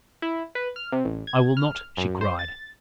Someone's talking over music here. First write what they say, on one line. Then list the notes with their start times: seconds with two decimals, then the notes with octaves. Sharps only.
"I will not!" she cried.
0.22 E4
0.55 B4
0.76 F6
0.92 C3
1.04 A1
1.27 G#6
1.57 F6
1.97 F#2
2.21 C5
2.39 A6